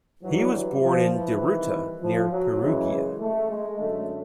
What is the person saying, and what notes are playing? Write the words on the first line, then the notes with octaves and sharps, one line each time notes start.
He was born in Deruta, near Perugia.
G2 E3 F#3
G3
F3
E3
C2 C3 D#3
F3
F#3
F#2 C#3 E3 G#3
G#3
A3
G#3
F#2 D3 A3